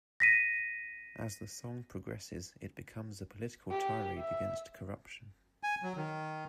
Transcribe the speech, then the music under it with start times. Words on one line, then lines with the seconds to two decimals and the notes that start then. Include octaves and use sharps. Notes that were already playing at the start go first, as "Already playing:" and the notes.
As the song progresses, it becomes a political tirade against corruption.
0.20 A#6 B6 D#7
3.71 G4
4.18 E5
5.63 G#5
5.83 F#3
5.97 D#3